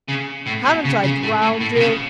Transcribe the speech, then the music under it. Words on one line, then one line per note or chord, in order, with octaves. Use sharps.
'Haven't I drowned you?'
C#3
A2
B2
C#3
C#3
A2
A2
A2
B2
C#3